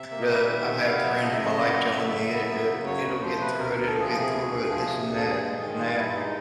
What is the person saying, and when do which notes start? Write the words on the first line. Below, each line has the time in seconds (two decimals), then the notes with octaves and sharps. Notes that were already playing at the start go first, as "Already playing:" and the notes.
the I've had friends in my life telling me, "I I It'll get through it, it'll get through it. This and that and that."
Already playing: C3 E5
0.11 A#3
0.21 D#5
0.28 G3 E5
0.48 D#3
0.66 C3
0.83 B3 F5
1.02 F#3 E5
1.21 C#3 D#5
1.33 E5
1.40 F#2
1.45 D#5
1.57 B3
1.76 F#3
1.94 C#3 E5
2.12 F#2
2.31 B3
2.49 F#3 E5
2.67 C#3
2.86 F#2 C#5
3.04 D2
3.22 F3 C5
3.40 C3 B4
3.58 D2 A#4
3.72 D2 A#4
3.87 A4
3.96 F3 G#4
4.14 C3 G#4
4.32 D2
4.51 D2
4.69 F3
4.88 C3
5.05 D2
5.15 A4
5.24 G2 G#4
5.43 G#3
5.60 D#3
5.79 G2 F4
5.93 F4
5.98 G2 E4
6.16 G#3 D#4